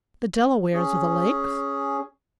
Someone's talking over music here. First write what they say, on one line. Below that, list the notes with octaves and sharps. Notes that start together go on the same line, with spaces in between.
"The Delawares of the Lakes!"
C#4 G#4